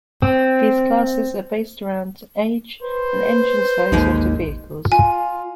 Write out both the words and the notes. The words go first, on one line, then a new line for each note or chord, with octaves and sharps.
These classes are based around age and engine size of the vehicles.
C4
B4 C5
A1 D#2 G#3 D#4
F4 G#5